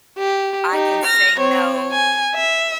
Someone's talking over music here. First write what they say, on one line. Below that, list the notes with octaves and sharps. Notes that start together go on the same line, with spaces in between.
I can say, "No."
G4
D#4 G4
F6 A#6
C4 C#5
G#5
E5